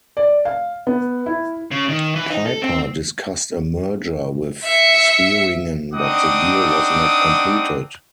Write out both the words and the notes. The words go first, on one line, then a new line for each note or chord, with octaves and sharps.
Piper discussed a merger with Swearingen but the deal was not completed.
D5
F5
B3
E4
C#3
D#3
E3
D#4
A4
C4
E5 C#7
C4 D4 D#4 F#5 D6 D#6